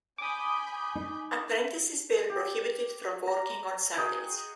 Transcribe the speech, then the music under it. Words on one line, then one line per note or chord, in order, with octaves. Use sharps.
Apprentices were prohibited from working on Sundays.
G#5 B5 D6 D#6 G6
D#4
G4
A#5
F#4 G#4 D#5 G5